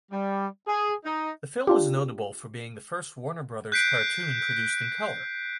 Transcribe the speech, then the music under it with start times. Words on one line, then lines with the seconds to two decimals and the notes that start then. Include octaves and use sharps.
The film is notable for being the first Warner Brothers cartoon produced in color.
0.11 G3
0.67 G#4
1.05 D#4
1.67 D4 F4 G4
3.72 F#6 G6 B6 C7 D7